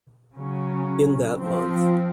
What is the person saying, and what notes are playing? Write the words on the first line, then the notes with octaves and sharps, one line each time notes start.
In that month.
C#3 F#3 C#4
F3 C4